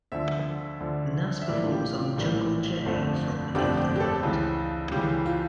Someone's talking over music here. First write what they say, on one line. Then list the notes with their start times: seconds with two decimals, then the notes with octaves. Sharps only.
Nas performs on "Jungle Jay" from "In the World".
0.12 D2 D3 F3 E5
0.80 D2 D3 F3
1.42 E5
1.49 A#1 A2 E3 G3 A#3 D5
1.66 F4
1.72 G4
1.95 F4
2.17 A#1 A2 E3 G3 A#3
2.86 G1 F2 D3 F3 A3
3.55 G1 F2 D3 F3 A3 G4
3.77 G4
3.96 G4
4.00 A4
4.23 C#2 C#3 E3
4.92 C#2 C#3 E3 G4
5.26 F4